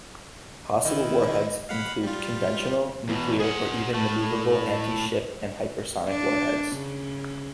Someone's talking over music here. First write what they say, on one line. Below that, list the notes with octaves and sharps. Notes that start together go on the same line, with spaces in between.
Possible warheads include conventional, nuclear or even maneuverable anti-ship and hypersonic warheads.
D#3 E4 D#5
F5 F#5 B5
G3 F4
E2 B2
G#4 F#5
A2 A3
D4
C#3